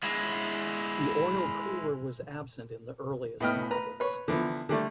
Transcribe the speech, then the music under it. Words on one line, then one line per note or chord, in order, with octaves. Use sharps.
The oil cooler was absent in the earliest models.
G#3 E4
A2 B3 D#5 G5 F6
B4 A#5
B4 C#5
D3 E3 F3 B3
D3 G3 A3